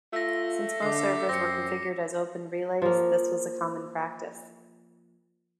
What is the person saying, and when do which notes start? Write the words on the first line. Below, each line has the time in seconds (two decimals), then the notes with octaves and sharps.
Since most servers were configured as "open relays", this was a common practice.
0.13 A3 F4 E6 A#6
0.82 D3 D6 C7
1.29 F#2 C4 A#6 C#7
2.82 F3 A#3